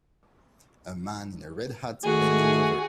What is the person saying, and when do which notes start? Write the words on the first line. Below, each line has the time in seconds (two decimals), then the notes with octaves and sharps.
A man in a red hat bending over.
2.04 D#3 A3 F#4 G#4